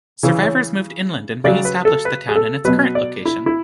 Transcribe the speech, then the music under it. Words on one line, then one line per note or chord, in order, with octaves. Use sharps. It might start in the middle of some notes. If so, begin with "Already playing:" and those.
Survivors moved inland and re-established the town in its current location.
C#3 E3
C#5
C#3 F#3 D5
B4
A4
B4
G#4
A4
B2 F#3 B4
D5
E4
E4